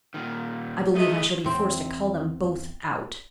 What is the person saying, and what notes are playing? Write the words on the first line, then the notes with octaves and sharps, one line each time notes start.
I believe I shall be forced to call them both out.
A#2 D#3
A3 G#4 D#5 E5
E2 C4